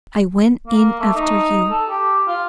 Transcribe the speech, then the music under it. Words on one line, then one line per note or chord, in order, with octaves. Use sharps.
"I went in after you."
A#3
A3
D#4
A4
G4
F4